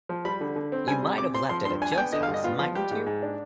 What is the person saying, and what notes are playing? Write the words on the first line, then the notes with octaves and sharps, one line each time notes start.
You might've left it at Jill's house, mightn't you?
F3
G3 B5
D3
D3
C4
G3 G#5
C3
C3 D6
C4 C6
F3 C6
G2 C6
D4 G#5
G#5
B3 G5
D3 D#5
F5
G2
D#5
B3 F4
F3 F4
G3 G4
G#2
G#2
D4